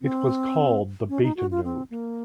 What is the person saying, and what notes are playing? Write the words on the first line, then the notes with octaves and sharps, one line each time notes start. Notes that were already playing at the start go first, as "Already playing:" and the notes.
It was called the Beta node.
C4
C#4
D#4
F#4
F4
C4
A#3